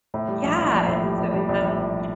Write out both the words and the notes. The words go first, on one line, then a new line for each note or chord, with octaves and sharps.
Yeah, so it has e
A2
G3
A#1
A#1
A#1
A2
G3
A#1
G3
A#1
A2
A#1